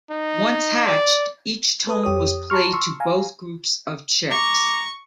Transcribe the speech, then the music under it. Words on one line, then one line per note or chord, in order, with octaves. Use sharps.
Once hatched, each tone was played to both groups of chicks.
D#4
D5
A4 B4 D#6
F2 G4 C#5 D#6
A5 A#5 C6 C#6 F6
C6 C#6 E6
F5 G#5 A#5
A#5 C#6 D6